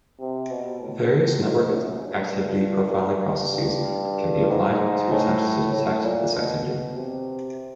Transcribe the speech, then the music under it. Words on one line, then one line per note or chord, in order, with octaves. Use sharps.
Various network activity profiling processes can be applied to attempt to detect this activity.
C3
B2
A2
G#2
F#2
G2
G2
G#2
A2
A2
A#2
B2
B2
C3